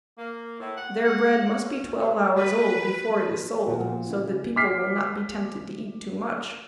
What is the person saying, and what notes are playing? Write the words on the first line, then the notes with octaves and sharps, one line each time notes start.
Their bread must be twelve hours old before it is sold, so that people will not be tempted to eat too much.
A#3
A2
F#5
F#5
C#4
C3
B4
A#2 F3 B3 F#4
C#3 E4
D6 F6 B6 C7